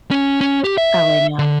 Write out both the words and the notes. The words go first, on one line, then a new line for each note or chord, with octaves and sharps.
Oh, I know,
C#4
C#4
G4
E5
D3